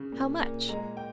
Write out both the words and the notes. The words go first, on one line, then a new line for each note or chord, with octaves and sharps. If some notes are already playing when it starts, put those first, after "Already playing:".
"How much?"
Already playing: C#3
A#2
A#2
G#3 A#5
G5